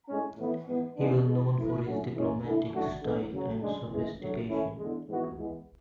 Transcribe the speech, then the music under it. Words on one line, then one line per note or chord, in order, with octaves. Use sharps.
He was known for his diplomatic style and sophistication.
A2 G#3 C#4
A2 E3 B3 E4
G#2 E3 B3
G#2 E3 G#3 B3 D4
E2 B2 G#3
F#2 E3 A3 E4
D3 F#3 A3 C#4 F#4
E3 G#3 C#4
D3 A3 E4
F#2 E3 A3 D4 F#4
D3 G#3 B3
F#2 C#3 F#3
F#2 C#3 G#3 D4
E2 C#3 E3 G#3
D3 F#3 A3
E3 A3 C#4 E4
E2 D3 G#3
G#2 E3 B3 F#4
E3 G#3 B3